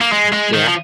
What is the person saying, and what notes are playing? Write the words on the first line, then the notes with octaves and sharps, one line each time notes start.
M Yeah.
A#3
G#3
G#3
D#3
F3